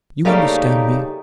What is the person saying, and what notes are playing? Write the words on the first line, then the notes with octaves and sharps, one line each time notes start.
You understand me?
C#3 G3 A3 A#3 D#4